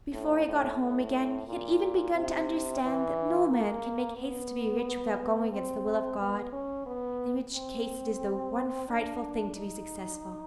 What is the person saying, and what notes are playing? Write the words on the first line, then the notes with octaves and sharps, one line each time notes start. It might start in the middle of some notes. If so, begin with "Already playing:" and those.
Before he got home again, he had even begun to understand that no man can make haste to be rich without going against the will of God, in which case it is the one frightful thing to be successful.
A2
A2
A2
A#2
C3
E3
A#3
B3
C4
B3
C#4
B3
C4
D4
D#4